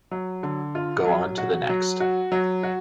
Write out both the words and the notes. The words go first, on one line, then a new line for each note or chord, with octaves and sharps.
Go on to the next.
F#3
D3
F4
F#3
F#4
F#3
F#4
F#3
F#4